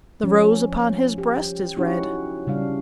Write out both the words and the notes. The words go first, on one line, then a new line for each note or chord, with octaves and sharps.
The rose upon his breast is red.
F3 C#4
G4
C#4 D#4 E4 F#4 G4
C#3 G3 D4 F5